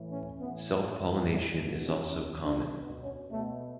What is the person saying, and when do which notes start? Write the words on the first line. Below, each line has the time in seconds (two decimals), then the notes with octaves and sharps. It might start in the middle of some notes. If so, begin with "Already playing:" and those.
Self-pollination is also common.
Already playing: A2 E3
0.11 C#4
0.40 A2 E3 B3
0.98 A2 E3
1.28 G3
1.56 B2
1.85 C#4
2.15 B2
2.44 D4
2.73 B2
3.02 C#4
3.31 B2 A3